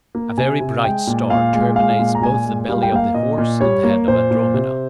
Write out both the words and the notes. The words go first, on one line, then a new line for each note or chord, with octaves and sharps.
A very bright star terminates both the belly of the Horse and the head of Andromeda.
A#3
C3 G#5
C3
G#3 G5
A#2
A#2 F5
G#3
G#3 F5
A#2
A#5
A#2 G#5
G#3
G3 F5
G5
A#3 F5
A#2 D#5
A#2
G3 C#5
A#3
A#2 C5
A#2
C3